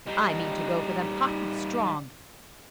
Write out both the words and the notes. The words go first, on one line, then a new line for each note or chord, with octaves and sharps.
I mean to go for them hot and strong.
G3 D#4